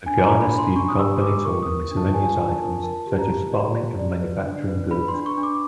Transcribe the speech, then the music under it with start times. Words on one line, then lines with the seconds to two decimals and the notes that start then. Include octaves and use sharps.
The Garner Stave Company sold miscellaneous items, such as farming and manufacturing goods.
0.06 D4 G#5
0.24 A#5
0.30 D4
0.41 B5
0.53 D4
0.58 C6
0.76 D4 C#6
0.88 D#6
0.99 G4 E6
1.22 B4 D6
1.45 A#4 C#6
1.63 D#6
1.68 A#4
1.91 D4
1.97 A5
2.14 F4 G#5
2.37 F4
2.49 A5
2.60 A#4
2.83 A#4 A5
3.07 G4
3.18 A#5
3.30 G4
3.53 D5
3.75 D5
3.99 D5
4.22 B4
4.45 D4
4.68 B4
4.91 B4 B5
5.08 C6
5.14 D4
5.26 C#6
5.38 D4
5.43 D6